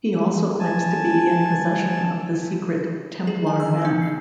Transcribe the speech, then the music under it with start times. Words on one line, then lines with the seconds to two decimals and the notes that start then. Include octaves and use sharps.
He also claims to be in possession of the secret Templar map.
0.59 G#5 A5
3.27 G#4
3.47 G#5
3.60 E6
3.85 D#4
4.02 C7